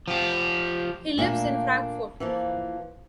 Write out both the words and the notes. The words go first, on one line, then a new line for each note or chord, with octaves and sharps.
He lives in Frankfurt.
F3 G4
A#2 A3 A#3 D4
E3 F3 A#3